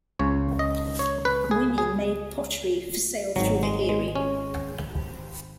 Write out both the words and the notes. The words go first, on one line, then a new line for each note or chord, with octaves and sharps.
Women made pottery for sale through the "hiri".
C#2 C#3 C#5
D#5
C#5
B4
G#4
G#4
G#1 G#2 D#3 F#3
G#3
G#3
C#4